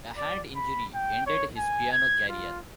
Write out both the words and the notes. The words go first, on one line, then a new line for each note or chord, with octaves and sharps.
A hand injury ended his piano career.
D5
B5
G5
C#5
G#5
G#6
F4